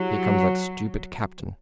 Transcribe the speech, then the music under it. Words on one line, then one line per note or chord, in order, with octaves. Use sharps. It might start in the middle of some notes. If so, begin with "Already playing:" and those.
"Here comes that stupid captain."
Already playing: F#3 E4 G4